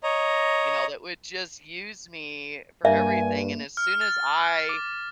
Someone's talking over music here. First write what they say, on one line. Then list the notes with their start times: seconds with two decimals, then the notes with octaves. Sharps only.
you know, that would just use me for everything and as soon as I
0.03 C#5 D#5 A#5
2.85 G2 A#3 E5 G#5
3.77 F6
4.01 A6
4.69 D6